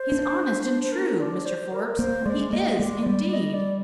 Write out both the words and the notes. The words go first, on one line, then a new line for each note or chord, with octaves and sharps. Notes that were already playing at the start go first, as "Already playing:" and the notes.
"He's honest and true, Mr. Forbes--he is, indeed!"
Already playing: C5
D4
C5
A#4
D5
C5
A#4
A#3 C5
G#3 D5
A#3 D#5
G#3 D5
G3 D5
D5
D#5
D5